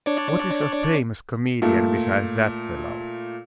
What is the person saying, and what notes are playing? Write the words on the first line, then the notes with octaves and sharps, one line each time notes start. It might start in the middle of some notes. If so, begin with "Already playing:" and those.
What is a famous comedian beside that fellow?
D4 C#5 D5
A#2 A3